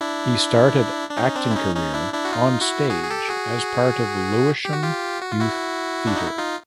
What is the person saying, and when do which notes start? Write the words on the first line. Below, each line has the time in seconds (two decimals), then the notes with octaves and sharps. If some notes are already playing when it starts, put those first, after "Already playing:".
He started acting career on stage as part of Lewisham youth theatre.
0.01 D4 E4
1.10 D4
1.17 C#4 D#4
1.36 C4 D4
1.51 E4
1.55 C#4 D#4
1.75 C#4 D#4
1.94 D4 E4
2.13 D4 E4
2.25 F#4
2.32 D#4 F4
2.61 E4 F#4
2.90 F#4 G#4
3.04 G#4
3.10 G4 A4
3.29 F#4 G#4
4.65 G4
4.73 F#4
4.83 F4 G4
5.22 F#4
5.31 F4
5.40 E4 F#4
6.07 D4
6.16 D#4
6.28 E4
6.38 D#4 F4